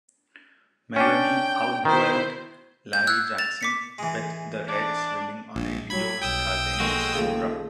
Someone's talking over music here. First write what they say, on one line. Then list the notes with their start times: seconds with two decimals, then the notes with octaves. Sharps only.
Maloney outdueled Larry Jackson, with the Reds winning on a Leo Cardenas home run.
0.96 C#4 D4 G5
1.85 D#3 E4 C5
2.93 G6
3.07 E6 F#6 G#6
3.38 A6 E7 F7
3.61 D6 B6 C#7
3.98 E3 G#3
4.67 D4
5.55 A#1
5.90 F#3 G3 B5 G#6
6.22 B1 G5 D#6 E6
6.80 F2 A#2 G#3 C4 F#4
7.14 D#2 C#3 F3 A3